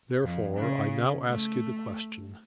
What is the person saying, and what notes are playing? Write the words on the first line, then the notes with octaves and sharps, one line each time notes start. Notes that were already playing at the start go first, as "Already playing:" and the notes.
Therefore I now ask you the question.
F2
C#3
A3